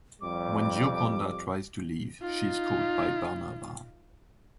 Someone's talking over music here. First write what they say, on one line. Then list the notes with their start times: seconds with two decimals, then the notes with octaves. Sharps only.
When Gioconda tries to leave, she is caught by Barnaba.
0.21 F2 G3 D6
2.22 D#4 F4